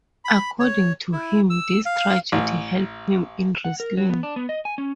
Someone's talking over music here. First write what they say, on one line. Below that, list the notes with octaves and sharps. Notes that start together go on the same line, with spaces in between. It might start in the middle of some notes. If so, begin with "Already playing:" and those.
According to him, this tragedy helped him in wrestling.
B5
C#5
E4
E6
F5
A1
F#5
A#4
F#3
B3
D4
B3
D#5
G#5
C#4